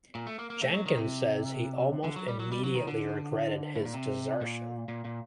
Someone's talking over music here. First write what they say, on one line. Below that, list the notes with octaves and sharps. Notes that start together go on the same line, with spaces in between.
Jenkins says he almost immediately regretted his desertion.
A#2
A3
A#3
A#3
A3
F#3
D#3
C3
D3
F#3
G3
F#3
G3
F#3
D#3
D3
A2
A#2
C3
A#2
A#2
A#2